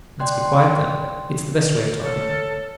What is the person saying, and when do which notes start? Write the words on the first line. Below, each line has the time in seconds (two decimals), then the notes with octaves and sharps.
"Let's be quiet, then: it's the best way of talking."
0.20 D5 G5 C6 F#6
2.02 A4 C#5 F6